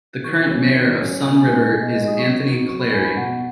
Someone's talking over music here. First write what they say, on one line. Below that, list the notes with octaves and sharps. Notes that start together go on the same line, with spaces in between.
The current Mayor of Sun River is Anthony Clary.
D#3 C#6
F#3 C#4
D#3
F#3 C#4
B2 C#6
G#5
G#3 D#4 G#5
F#4
B2
D#5
G#3 D#4 D#5
D#6
F#3 C#6
D#4 F#4 C#6
F#3 C#6
B5
D#4 F#4 G#5
B5
B2 F#5